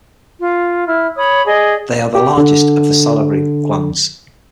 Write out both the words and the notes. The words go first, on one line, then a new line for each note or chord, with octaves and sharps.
They are the largest of the salivary glands.
F4
E4 F6
C#5 B5 D#6
G#4 D5 D#5
G4
D3